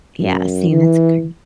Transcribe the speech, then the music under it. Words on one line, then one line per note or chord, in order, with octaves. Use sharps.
Yeah, see? And that's great.
F#2
E3